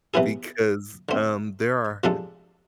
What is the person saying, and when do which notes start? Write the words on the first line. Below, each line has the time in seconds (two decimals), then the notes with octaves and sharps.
Because, um, there are
0.14 C3 E3 B3 E4 G#4
1.09 D3 A3 C4
2.04 C3 F3 G#3 D4 A4